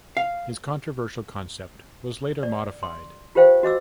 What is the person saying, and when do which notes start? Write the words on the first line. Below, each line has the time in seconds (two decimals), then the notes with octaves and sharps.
His controversial concept was later modified.
0.17 F5
2.43 D5
2.83 C6
3.35 F4 G4 B4 C5 F5 G5
3.63 F#4 D#5 D6 E6